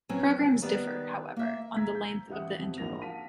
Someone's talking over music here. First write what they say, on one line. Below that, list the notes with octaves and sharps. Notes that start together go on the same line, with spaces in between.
Programs differ, however, on the length of the interval.
F#3 C4 C#4 B4 C#5 G#5
D#3 G3 B3 D5
A#3 E5
A#5 E6 G#6 B6
G6
A1 G3 E5 F#5 D#6 F#6
F2 G3
A#1 G#2 A#3 F#4 A#6 F7
F5 F#5 A5 B6 D#7